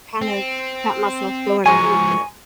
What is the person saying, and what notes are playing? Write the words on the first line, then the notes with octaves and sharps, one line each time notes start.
kind of got myself going a little bit,
C4
G#2 F3 F#3 G#3 G#4 G#5 C#6